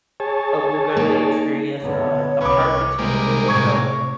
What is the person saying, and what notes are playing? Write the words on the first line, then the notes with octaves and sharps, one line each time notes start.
uh, we're gonna experience, uh, apartment changes, so,
G#4 C#5 A5
A#3 D#4 D5
D3 B3 C#5
C2 C#4 B4 D6
C3 G3 G#3 A#3 C5
A2 C3 C#6 G#6